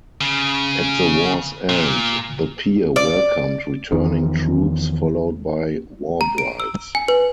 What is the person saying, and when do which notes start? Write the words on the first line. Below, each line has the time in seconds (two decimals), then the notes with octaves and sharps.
At the war's end the Pier welcomed returning troops followed by war brides.
0.21 C#3
1.69 A#2
2.96 D5
3.92 E2 D#3 F3
6.21 A#5
6.38 D7
6.60 E6
6.95 G#5
7.08 B4